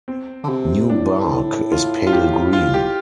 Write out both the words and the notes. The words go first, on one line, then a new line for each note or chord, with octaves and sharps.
New bark is pale green.
C4
D3
C3
A2 D4
F4
F4
G4
F4
G4